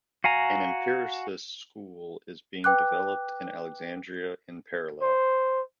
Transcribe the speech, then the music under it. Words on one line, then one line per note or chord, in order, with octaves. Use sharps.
An empiricist school is being developed in Alexandria in parallel.
F#4 F5 G#5 A#5
B4 G5 D6 F#6
C5